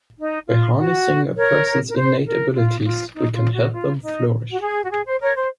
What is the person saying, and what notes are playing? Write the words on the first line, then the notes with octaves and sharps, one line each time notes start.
By harnessing a persons innate abilities we can help them flourish.
D#4
F4
F#4
A#4 C#5
A#4
C5
A#4
F4
F4
D#4
F4
F#4
F4
D#4
F#4
G#4
F#4
G#4
C5
A#4 C#5
C5